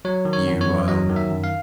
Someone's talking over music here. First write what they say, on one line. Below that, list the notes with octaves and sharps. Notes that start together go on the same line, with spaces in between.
you, um,
F#3 C#5
D#3
C#5
F#2
C#5
F#2
F#3 D#5
D#3
E5
F#2
F5